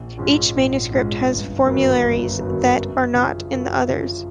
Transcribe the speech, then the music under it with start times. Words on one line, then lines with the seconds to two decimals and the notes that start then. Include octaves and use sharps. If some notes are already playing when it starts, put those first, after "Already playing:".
Each manuscript has formularies that are not in the others.
Already playing: A#1
0.18 G#2 F3 G#3 C#4
0.55 A#1
0.91 G#2 F3 G#3 C#4
1.29 G1
1.65 F#2 D#3 F#3 B3
2.02 G1
2.40 F#2 D#3 F#3 B3
2.77 F#2
3.14 C#3 F3
3.51 F#2
3.88 C#3 F3